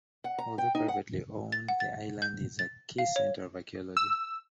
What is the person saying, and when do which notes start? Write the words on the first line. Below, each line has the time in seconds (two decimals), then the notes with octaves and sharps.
Although privately owned, the island is a key center of archaeology.
0.24 F#5
0.38 A#5
0.58 G5
0.75 D#4
0.88 F#5
1.52 A6
1.69 F#5
1.80 A6
2.22 G6
2.59 A6
2.98 F5
3.16 C#5
3.97 E6